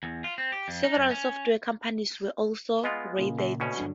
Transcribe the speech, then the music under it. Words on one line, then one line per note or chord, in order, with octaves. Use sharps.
Several software companies were also raided.
E2
F4
C4
G4
F2
D#4
F#2
C#4
G#3 B3 F4 B4 D#5
A#2 C#3 A#3
F#2
D2 B2 C#4
G2 D3 F#3